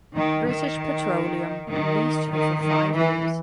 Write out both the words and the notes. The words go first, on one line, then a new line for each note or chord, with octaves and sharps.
British Petroleum leased her for five years.
D#3
D#3
D#3
D#3
D#3
E3